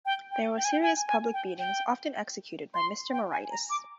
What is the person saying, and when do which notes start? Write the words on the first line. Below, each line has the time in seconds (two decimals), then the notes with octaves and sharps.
There were serious public beatings often executed by Mr. Moraitis.
0.06 G5
0.32 G5
0.57 G5
0.64 G#5
0.72 G5
0.82 G#5
1.08 G#5
1.33 G5
1.59 G5
2.74 C6
3.12 G5
3.31 G#5
3.51 A#5
3.70 D6